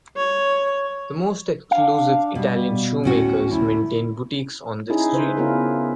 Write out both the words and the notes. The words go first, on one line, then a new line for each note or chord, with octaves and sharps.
The most exclusive Italian shoemakers maintain boutiques on this street.
C#5
D4 F5
B2 G3
D2 A2 C#4 F#4
D2 E4
C#4 D#4 E4 G#4
C#3 C#4 B4 C5
B3 C#4 E4 F4 G#4 A#4